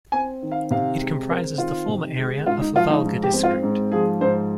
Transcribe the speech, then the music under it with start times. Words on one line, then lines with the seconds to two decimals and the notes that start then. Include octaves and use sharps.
It comprises the former area of Valga District.
0.12 C4 G#5
0.42 D#3
0.52 F5
0.71 C3 F5
1.00 G#3
1.29 C4 A#4
1.58 D#3 F4
1.88 C3
2.18 G#3
2.46 G#2 F4
2.61 D#4
2.75 F3 F4
2.90 D#4
3.04 G#2
3.23 G4
3.33 C4
3.43 F4
3.63 G#2
3.92 F3 G#4
4.21 G#2 C5